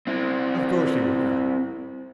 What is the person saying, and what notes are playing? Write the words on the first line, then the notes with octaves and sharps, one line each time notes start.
"Of course he will come."
C4 E4